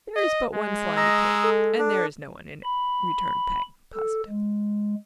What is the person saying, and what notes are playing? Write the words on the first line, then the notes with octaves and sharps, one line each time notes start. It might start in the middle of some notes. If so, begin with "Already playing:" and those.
"There is but one Slimy Cave, and there is no one in it," returned Pang positively.
D#5
G#3
D#5 A#5 E6
A4
D4
B5
A4
G#3